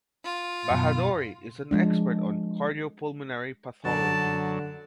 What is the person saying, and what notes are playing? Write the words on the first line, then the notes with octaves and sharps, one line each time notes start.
Bahadori is an expert on Cardiopulmonary pathology.
F4
F#2 B2
F3 G#3 D4
F#2 D3 F#3 D5 A5